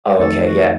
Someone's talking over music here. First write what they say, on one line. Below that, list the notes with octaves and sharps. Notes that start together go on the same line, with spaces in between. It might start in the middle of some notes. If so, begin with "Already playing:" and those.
Oh, okay, yeah,
F2 D#3 A3 A4
F#4